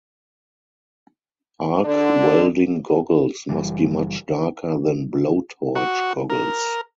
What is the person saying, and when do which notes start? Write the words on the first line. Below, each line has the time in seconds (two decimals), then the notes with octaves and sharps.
Arc welding goggles must be much darker than blowtorch goggles.
1.85 D3 D4
3.49 F#1 E3 G3
5.76 F#4
6.30 A#4